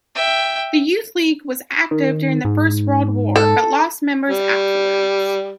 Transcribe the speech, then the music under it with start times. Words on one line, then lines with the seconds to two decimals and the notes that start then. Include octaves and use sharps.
The youth league was active during the First World War, but lost members afterwards.
0.15 E5 G5
1.91 D#3
2.45 G#2
3.36 A4
4.30 G3